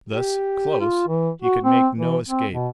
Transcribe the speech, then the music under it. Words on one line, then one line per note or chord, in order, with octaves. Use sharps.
Thus close, he could make no escape.
G4
F4
E3
F#4
C4
E3
C4
B2